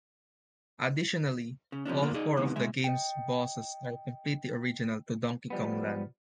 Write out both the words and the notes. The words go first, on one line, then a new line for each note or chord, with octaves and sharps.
Additionally, all four of the game's bosses are completely original to "Donkey Kong Land".
C#3
C3 F3 C#4 D4
C#2 B2 A#3 D4 F4
D#4 G#4 D5 D#5
G#2 C3 D#3 E3 B3
A2 G#3 E5
D#5 G5
F3 G3 B3